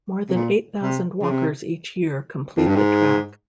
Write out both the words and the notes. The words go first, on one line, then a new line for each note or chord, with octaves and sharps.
More than eight thousand walkers each year complete the track.
C3
A#2
C3
C#3
C3
F2
G2
G#2